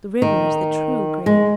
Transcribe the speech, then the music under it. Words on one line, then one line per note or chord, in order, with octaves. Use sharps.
The river is the true grave.
D#3
G#3